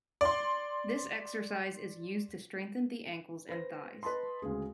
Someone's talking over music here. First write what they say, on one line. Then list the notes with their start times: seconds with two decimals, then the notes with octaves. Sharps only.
This exercise is used to strengthen the ankles and thighs.
0.21 D5 C6
3.49 B4 C5 A#6
4.03 B4 D#5 A5 B5 C6
4.42 D2 C#3 G#3 G#4